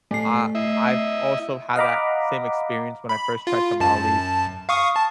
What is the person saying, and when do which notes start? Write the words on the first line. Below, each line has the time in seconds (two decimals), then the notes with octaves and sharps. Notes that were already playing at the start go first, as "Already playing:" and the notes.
I I've also had that same experience when I first tried tamales.
0.11 A2 A3 C7
0.55 E4 D#5 E5
1.76 D#5 F5 F#5 A#5 B5 D6
3.09 B5
3.47 F4
3.80 F#2 A5
4.69 F5 C#6 D#6
4.96 A5